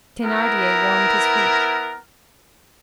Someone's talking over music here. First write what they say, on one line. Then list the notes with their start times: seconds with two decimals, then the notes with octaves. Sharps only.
Thenardier warmed his feet.
0.23 B3 E4 A#4